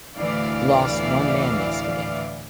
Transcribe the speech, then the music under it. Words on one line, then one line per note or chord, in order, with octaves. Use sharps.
Lost one man yesterday.
D2 A2 E3 D5 F5